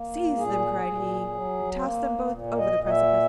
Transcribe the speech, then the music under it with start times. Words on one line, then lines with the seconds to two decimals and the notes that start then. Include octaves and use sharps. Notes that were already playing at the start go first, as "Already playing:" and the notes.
"Seize them," cried he, "and toss them both over the precipice!"
Already playing: A#3
0.37 A#2 G#4
0.84 A#2
1.31 F#3
1.79 A#3
2.27 A#2
2.58 D#5
2.74 A#2
2.83 D#5
2.89 E5